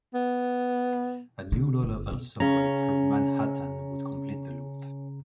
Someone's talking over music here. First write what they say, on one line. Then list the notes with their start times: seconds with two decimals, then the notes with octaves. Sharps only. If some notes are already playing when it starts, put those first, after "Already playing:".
A new low-level subway through Manhattan would complete the loop.
0.14 B3
1.52 D3
1.83 G1
2.12 B2
2.40 C#3 C#4 A#5